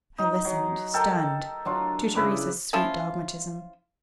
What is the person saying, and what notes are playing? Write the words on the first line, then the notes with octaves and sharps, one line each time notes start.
I listened, stunned, to Theresa's sweet dogmatism.
D#4
F#3
A4 A#4 G5 A5
F#3 D4 F4
C#3 E4 B4 D5
F3 C#4 E4 F4